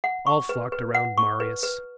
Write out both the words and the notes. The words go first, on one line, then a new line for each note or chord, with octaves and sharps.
All flocked around Marius.
F#5
C#6
B4
B4
F#5
C#6
B4
B4